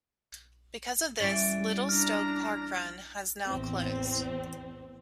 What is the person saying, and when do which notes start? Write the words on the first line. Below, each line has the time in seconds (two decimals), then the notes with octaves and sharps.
Because of this, Little Stoke Parkrun has now closed.
1.20 E3 G3 C#4 A6 D7
1.89 D4 A#5 F6
3.46 A1 E2 C4